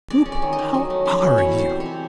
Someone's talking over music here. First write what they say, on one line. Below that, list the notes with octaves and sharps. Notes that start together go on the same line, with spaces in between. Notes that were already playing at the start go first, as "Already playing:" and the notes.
Whoop! How are you!
G#3 D5
C#4
D5
D#3
D#5
D#3
F#3
A3
C#4
B2
E3 C#5
G3
C5
C4
C#5
C3